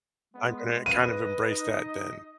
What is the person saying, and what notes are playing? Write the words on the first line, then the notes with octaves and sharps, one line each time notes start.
I'm gonna kind of embrace that then.
G#3 B3
B4 D#5 D#7
D#4